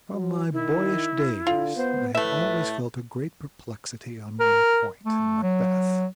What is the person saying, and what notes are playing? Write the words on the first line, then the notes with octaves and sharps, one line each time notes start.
From my boyish days I had always felt a great perplexity on one point in Macbeth.
F#3
D#3 E4
D3 F4
B3 C5
A2 A3 B4 E5
A#4
A3
F#3